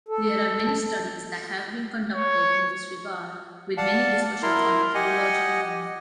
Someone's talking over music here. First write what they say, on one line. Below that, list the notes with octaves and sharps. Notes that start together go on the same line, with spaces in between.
There are many studies that have been conducted in this regard, with many discussions on methodology alone.
A4
C#5
D5 F5 F#5 A5
E4 A#4 A#5 C6
G4 D#5 F#5 G#5